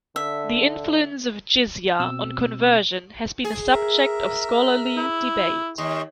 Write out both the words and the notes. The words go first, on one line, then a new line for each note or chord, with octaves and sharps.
The influence of jizya on conversion has been a subject of scholarly debate.
D3 E5
B2 C4 E6
G#4
A#4 E5
E4
D#2 D#5 C6 C#6